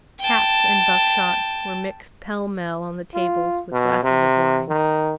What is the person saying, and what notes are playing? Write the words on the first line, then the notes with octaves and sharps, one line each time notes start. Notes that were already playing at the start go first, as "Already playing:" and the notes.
Caps and buckshot were mixed pell-mell on the tables with glasses of wine.
G5 A5
F4
B2
C3
D#3